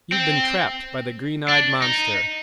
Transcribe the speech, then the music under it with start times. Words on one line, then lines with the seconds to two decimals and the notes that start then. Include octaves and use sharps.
You've been trapped by the green-eyed monster.
0.12 C4
1.48 D4
1.82 D#4